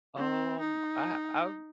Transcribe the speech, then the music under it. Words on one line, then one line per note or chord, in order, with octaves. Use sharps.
Um, I I
C4
D#4